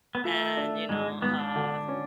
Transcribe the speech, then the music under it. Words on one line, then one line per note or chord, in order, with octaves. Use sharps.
and, you know, uh,
B3
A3 F4
D4
G#2 G#3
G#2 B3
D4
D3
C#4